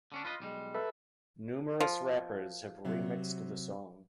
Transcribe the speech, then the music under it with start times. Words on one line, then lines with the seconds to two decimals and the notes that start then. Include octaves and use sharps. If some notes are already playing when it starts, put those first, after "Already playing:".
Numerous rappers have remixed the song.
0.12 D3 C#4 D4
0.25 F4 B4 D#5
0.40 B1 G3 G#3
0.75 A4 B4 E5
1.80 F3
2.85 C3 F#3